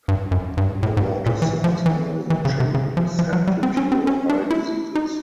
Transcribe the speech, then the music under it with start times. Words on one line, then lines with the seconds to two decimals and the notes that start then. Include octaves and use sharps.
A water source under the chapel is said to cure eye diseases.
0.08 G2
0.31 F#2
0.57 G2
0.68 G#2
0.83 A2
0.97 G#2
1.26 A#2
1.42 E3
1.64 F3
1.86 E3
2.30 E3
2.45 C#3
2.60 C3
2.74 C#3
2.97 F3
3.19 F3
3.33 F#3
3.47 G3
3.63 C4
3.77 C#4
3.92 C4
4.07 C#4
4.30 D4
4.51 E4
4.95 D#4